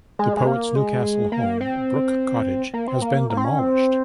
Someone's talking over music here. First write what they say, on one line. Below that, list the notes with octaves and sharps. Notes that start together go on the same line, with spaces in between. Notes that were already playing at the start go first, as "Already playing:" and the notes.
The poet's Newcastle home, Brook Cottage, has been demolished.
G#3
G#3
A#3
G#3
A#3
C4
A#3
C4
A#3
A#3
C4
C#4
C4